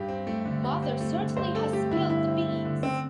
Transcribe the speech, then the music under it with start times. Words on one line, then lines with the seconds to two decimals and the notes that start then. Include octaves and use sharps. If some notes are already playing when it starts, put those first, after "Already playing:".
Mother certainly has spilled the beans!
Already playing: G2 G4
0.08 C4
0.27 A3
0.45 D3
0.64 G2
0.82 C4
1.01 A3
1.19 D3
1.37 G2 C5
1.55 C4 A4
1.73 A3 G4
1.91 D3 E4
2.10 G2 E4
2.28 C4
2.47 A3
2.65 D3
2.82 D3 C4